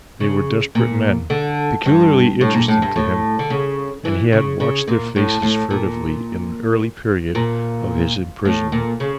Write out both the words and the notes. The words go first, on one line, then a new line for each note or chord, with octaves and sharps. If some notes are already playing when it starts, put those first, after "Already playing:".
They were desperate men, peculiarly interesting to him, and he had watched their faces furtively in the early period of his imprisonment.
C#3
A#2
D3
G2
A2
A#2
A2
G2
A2
D3
C#3
E3
C#3
C#3
A#2
A2
A2
A#2
A#2
A2
A#2
C#3